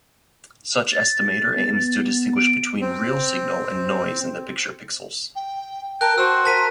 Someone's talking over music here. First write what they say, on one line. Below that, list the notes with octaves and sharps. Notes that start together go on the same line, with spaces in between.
Such estimator aims to distinguish between real signal and noise in the picture pixels.
A6
B3
D7
C4
G5
A#4 G5 A5 F#6
F#4 C5 C6 E6
A#4 A5 B6 D#7